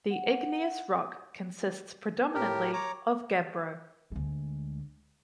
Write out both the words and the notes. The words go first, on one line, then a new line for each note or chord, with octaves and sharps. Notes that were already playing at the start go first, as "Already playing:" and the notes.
The igneous rock consists predominantly of gabbro.
F#5
A2 G4 A#4
C#5 A#5 D6
D2 G#3